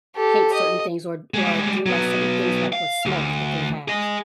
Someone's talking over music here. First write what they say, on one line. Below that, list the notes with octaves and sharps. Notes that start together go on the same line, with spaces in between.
paint certain things or d or do like, certain things, like, with smoke that they have,
G4 A4
D#5
G3 G#3
F#3 B3
F5
D2
G#4 D#5